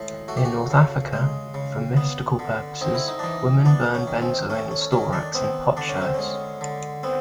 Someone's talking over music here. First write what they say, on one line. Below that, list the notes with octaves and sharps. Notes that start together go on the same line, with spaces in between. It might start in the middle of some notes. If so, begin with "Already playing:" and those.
In North Africa, for mystical purposes, women burn benzoin and storax in potsherds.
Already playing: A2 G#3
A3 F#4
G4
F#4
C#3
G#3
C#3
B3
D3
C4 D#4
E4
D#4
D4
E3 D#4
B3 D4
C#4
D#3
C4
A3 C#4
C#4
D#3 C#4
D4
B3 C4
D3 D4
C#4
C4
G#3 C#4
D3
B3 C4